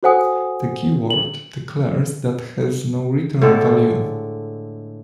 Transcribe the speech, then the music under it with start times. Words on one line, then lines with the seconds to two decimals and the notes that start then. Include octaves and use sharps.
The keyword declares that has no return value.
0.03 F#4 A4 C5 F#5 G#5 D#6
1.10 F#7
3.42 A2 D3 G#3 A4